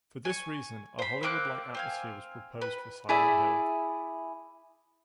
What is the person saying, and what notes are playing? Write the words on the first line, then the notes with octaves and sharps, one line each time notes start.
For this reason, a Hollywood-like atmosphere was proposed for "Silent Hill".
G#5 C#6
C5 B5
A#3 C4 D6 F#6
C4 F5 G#5
B4
E4 G#4 D5 E5